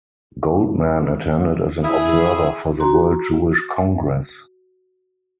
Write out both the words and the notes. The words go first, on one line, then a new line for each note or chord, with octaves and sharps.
Goldman attended as an observer for the World Jewish Congress.
E4 G#4 E5 B5 D#6
F#4 A#5 C6